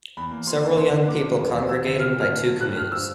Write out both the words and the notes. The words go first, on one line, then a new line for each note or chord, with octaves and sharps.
Several young people congregating by two canoes.
E2 B5
A#3
F3 C6
C#3
D3 C6
D4
A#3 D6
F3
D#2
D#2
F3 E6
D3
A#2 F6
A#2 F6
A3
F#3
G2 F#6
G2 F6
F3 E6